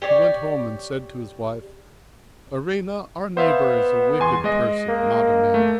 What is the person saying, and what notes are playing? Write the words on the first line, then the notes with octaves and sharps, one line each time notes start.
He went home and said to his wife: "Arina, our neighbour is a wicked person, not a man."
G4 C#5 D5
B3 C5 E5 F5
E2 G#5 C6
G#3 D#5
A#3
A3